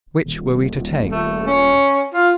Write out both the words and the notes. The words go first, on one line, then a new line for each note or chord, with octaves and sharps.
Which were we to take?
D#1
A3
C#4
F4